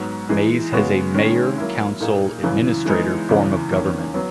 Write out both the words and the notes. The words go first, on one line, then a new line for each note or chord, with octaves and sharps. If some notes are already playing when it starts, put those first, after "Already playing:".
Maize has a mayor-council-administrator form of government.
Already playing: G#2 F#3 B3 F#4
E3 G#3 D#4 G#4
C#3 G#3 B3 F#4
D#3 G#3 C#4
F#3 A#3 E4
A#2 A#3 D#4 G#4
F#2 C#3 E3
E3 G#3 B3 D#4
E2 C#3 E3
E2 D#3 A#3 C#4
F#3 B3